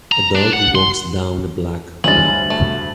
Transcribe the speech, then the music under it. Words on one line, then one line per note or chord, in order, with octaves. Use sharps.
A dog walks down a black ramp.
A#5
D4
F#5
C6
D2 G2 G#3 C#4 A6 F#7
A3